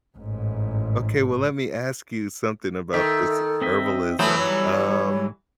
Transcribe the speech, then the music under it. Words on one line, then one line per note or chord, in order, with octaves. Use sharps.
Okay, well, let me ask you something about this herbalism. Um,
A1 G#2
D#3 A4 E5
C4 D#5 E5
E3 F#3 A3 B3 C5
G3 A4 C#5